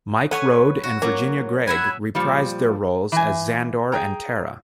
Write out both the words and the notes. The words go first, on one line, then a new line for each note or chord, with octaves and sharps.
Mike Road and Virginia Gregg reprised their roles as Zandor and Tara.
A4 B4 C#5 F#5 G#5
F#4
F#3 A#3 C#4
E5 F#5 G#5 B5 F#6 G#6
A#2 F3 G3
E3 G#5
G#4 G5 A#5